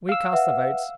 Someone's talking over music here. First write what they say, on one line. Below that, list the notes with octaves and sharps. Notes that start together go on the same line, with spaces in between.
We cast the votes.
F5 E6
B4 E5 F#5